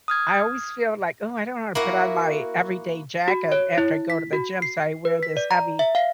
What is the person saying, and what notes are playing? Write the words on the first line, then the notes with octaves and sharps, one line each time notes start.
I always feel like, "Ooh, I don't wanna put on my everyday jacket after I go to the gym," so I wear this heavy
D#6 F6 G#6
A#3 E4 F#4
F#4
C#5
E4
B6
F#4
C7
B4
B6
D5
A#5
E5
F5